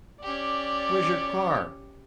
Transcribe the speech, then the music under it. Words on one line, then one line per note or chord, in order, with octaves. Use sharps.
Where's your car?
C#4 G4 D5